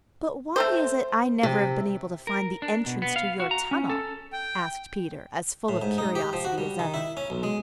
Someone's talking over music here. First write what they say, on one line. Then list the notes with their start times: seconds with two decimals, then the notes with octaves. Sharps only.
"But why is it I never have been able to find the entrance to your tunnel?" asked Peter, as full of curiosity as ever.
0.56 A3 C4 C5
1.43 C3
2.27 A#4
2.62 D4
2.86 B2
3.02 B3
3.16 F5
3.40 F#4
3.51 A#5
3.71 C#4
3.90 A4
4.33 G5
5.69 A2
5.82 G#2
5.98 D#4
6.15 G4
6.33 F3
6.45 F#4
6.58 G3
6.79 D#3
6.94 E4
7.17 C#4
7.30 B1
7.43 G#3